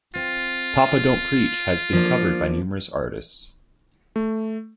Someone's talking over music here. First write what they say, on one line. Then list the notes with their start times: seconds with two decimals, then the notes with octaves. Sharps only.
"Papa Don't Preach" has been covered by numerous artists.
0.15 C4 F4
1.93 F3 A#3 D4
4.16 A3